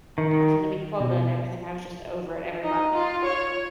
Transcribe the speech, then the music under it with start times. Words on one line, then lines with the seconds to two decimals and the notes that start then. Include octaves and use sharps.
having to meet quota and everything, I was just over it every month.
0.18 D#3
1.00 B2
2.63 D#4
2.93 F4
3.25 C#5